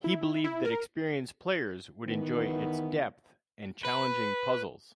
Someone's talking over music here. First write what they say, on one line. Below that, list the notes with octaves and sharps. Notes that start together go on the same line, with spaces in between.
He believed that experienced players would enjoy its depth and challenging puzzles.
E4
E4
A#4
D#3 E3 B3
B4